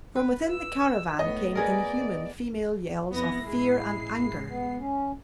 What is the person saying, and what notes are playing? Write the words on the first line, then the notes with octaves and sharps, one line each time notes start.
From within the caravan came inhuman female yells of fear and anger.
B4
E6
A2 B3 D#5
B3 G#4 A#4 D5
F2 B3 E4 A#6
A1 G#3 C7
B3
C#4